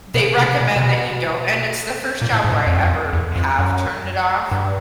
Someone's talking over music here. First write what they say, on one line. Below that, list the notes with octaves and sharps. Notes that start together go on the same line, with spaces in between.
they recommend that you don't, and it's the first job where I ever have turned it off,
B2
C3
B2
C3
B2
A#2
A2
G#2
G2
G#2
F2
F#2
F2
E2
F2
F#2
G2